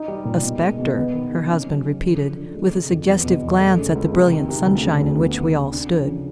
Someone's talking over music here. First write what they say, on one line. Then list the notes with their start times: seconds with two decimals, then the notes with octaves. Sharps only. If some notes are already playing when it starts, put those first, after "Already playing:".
"A specter," her husband repeated with a suggestive glance at the brilliant sunshine in which we all stood.
Already playing: D#4
0.08 G3
0.25 A#2
0.43 B2
0.61 G#3
0.79 B2
0.97 B3
1.13 D#3
1.32 C3
1.49 C#4
1.66 F#3
1.85 C#3
2.01 D3
2.19 F3
2.37 D3
2.55 G#3
2.72 C3
2.90 F2
3.07 E2
3.25 B2
3.43 E2
3.60 A3
3.78 C#3
3.95 C#2
4.13 C3
4.31 D#3
4.49 C3
4.65 D2
4.83 C#3
5.01 D2
5.19 B3
5.37 E3
5.54 C3
5.72 D4
5.89 F3
6.07 C#3